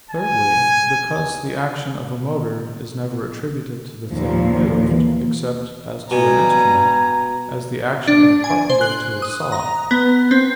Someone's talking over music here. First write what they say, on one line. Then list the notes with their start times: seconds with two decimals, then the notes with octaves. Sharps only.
Thirdly, because the action of a motor is never attributed to the thing moved, except as to an instrument; as the action of a carpenter to a saw.
0.11 G#5
4.11 D#2 A#2 F3
4.91 E3 A#3
6.11 B2 G3 G#5 A#5
8.07 D4
8.44 G#5
8.70 C5
8.81 F#6
9.22 D#6
9.52 A#5
9.91 B3
10.31 C4